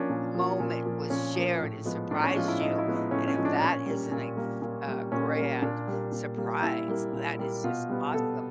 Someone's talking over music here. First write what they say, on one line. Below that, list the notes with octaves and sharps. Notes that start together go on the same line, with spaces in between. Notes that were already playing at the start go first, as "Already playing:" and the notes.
moment was shared and surprised you and if that isn't a f a grand surprise; that is just awesome.
Already playing: F3 A#3 C#4 D4
A#2
F3 A#3
A#2
F3 A#3
A#2 C#4
F3 A#3
A2
F3 G#3 B3
A2 D4
C#4
F3 G#3 B3 F4
E4
A2 D#4
E4
F3 G#3 B3
D#4
A2 C#4
C#4
F3 G#3 B3
D4
A#2 C#4
G3 A#3
A#2
G3 A#3
A#2
G3 A#3
A#2 C#4
G3 A#3
A#2 D4
G3 A#3
A#2
G3 A#3
A#2 E4
G3 A#3
A#2
G3 A#3
B2 F4
G3 B3
B2 A4